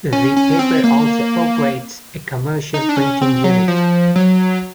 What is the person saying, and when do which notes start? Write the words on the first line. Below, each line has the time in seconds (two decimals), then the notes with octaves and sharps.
The paper also operates a commercial printing unit.
0.13 C#4
0.36 C#4
0.59 C4
0.84 A#3
2.74 D#4
2.89 D4
2.97 C#4
3.21 C4
3.44 F#3
3.68 F3
4.16 F#3